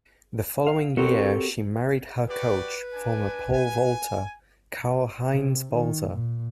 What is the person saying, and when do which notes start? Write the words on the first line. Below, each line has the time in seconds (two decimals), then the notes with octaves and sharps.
The following year, she married her coach, former pole vaulter, Karl-Heinz Balzer.
0.67 F5
0.97 C4 F#4 G4 A4 A#4 C#5
2.28 F#4 G4 B4 D5
2.92 D4 G#5
3.53 G#5
5.30 C3
5.73 D#3
6.11 A#2